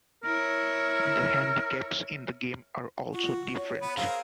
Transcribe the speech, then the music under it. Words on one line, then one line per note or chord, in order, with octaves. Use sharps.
The handicaps in the game are also different.
E4 A#4 C#5
F4 F#4
C#5
B3 B4
C4 G#4 A#4 F5